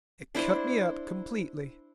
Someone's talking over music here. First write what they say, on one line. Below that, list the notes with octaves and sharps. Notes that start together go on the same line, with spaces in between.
"It cut me up completely."
D4 E4 C5